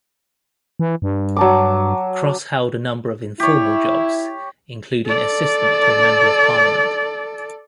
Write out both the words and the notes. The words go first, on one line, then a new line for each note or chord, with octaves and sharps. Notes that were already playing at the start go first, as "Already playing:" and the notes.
Cross held a number of informal jobs including assistant to a member of parliament.
E3
G2
F#3 A5 D6
E4 G4 C#5
A4 D5